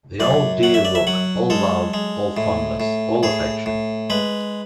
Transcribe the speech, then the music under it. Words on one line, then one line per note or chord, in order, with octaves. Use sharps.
The old dear look, all love, all fondness, all affection.
F#2 D5
F#3 F#5
E5
D5
E5
F#3 F#5
G#3 A4
G#3
A2
A2
A2 G#4
A2
G#3 B4